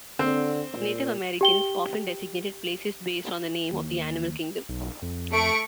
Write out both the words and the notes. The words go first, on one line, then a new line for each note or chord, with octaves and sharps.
Native Americans often designated places based on the name of the animal kingdom.
D3 C4
A#2
G4 G5 G7
D#2
B1
F2
A3 C#6 D7